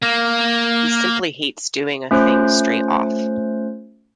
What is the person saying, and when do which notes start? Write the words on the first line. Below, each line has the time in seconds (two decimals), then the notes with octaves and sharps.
He simply hates doing a thing straight off.
0.03 A#3
2.11 A3 C#4 F4 C5 F#6 G6